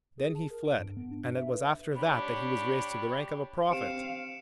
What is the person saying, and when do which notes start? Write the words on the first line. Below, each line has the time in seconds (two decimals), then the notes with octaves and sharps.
Then He fled, and it was after that that He was raised to the rank of a Prophet!
0.18 G#4
0.35 A5
0.50 A#4
0.65 D7
0.79 G2
0.97 B3
1.11 D4
1.24 D4
1.37 E5
1.50 B4
1.96 D4 G4 C#5 B5
3.71 C4 G4 C5 F5 C#7 D7 E7